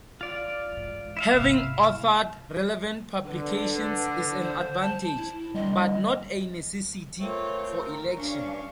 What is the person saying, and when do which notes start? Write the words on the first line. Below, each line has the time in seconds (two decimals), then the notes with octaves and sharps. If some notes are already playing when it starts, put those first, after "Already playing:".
Having authored relevant publications is an advantage, but not a necessity, for election.
0.21 F4 D5
0.72 G#2 E3
1.17 E4 E5 F5
1.34 G#1 C3
1.57 C3
3.26 D3 B4
4.42 C5
4.81 A5
5.17 E4
5.55 D3 E3 G3 C4 D#5
7.20 A3 A#3 C4 F4 C#5
7.76 A#4
8.18 G2 C#4 D4 F5 C#6